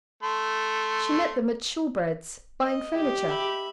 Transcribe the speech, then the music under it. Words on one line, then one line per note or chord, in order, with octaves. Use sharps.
She met them at Shoolbred's--buying furniture.
A3 C6
D#5
G4
E5 B5